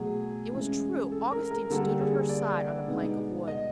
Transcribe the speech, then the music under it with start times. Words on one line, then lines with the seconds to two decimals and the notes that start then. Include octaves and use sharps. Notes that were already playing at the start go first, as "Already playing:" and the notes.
It was true; Augustine stood at her side on the plank of wood.
Already playing: B2 F#3 A3 G#4
0.53 C#3 E3 G#3 C#4 E4
1.12 A4
1.32 A#4
1.51 A#4
1.70 D3 G3 A#3 D4 A4
2.00 G#4
2.29 D5
2.88 B2 G#3 B3 D#4
3.48 D#5